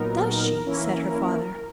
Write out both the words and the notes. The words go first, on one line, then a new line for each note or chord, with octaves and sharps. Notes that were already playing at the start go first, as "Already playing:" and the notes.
'Does she?' said her father.
Already playing: A#2 F#3 B3 D#4 A#4
E3 A#3 C#4 E4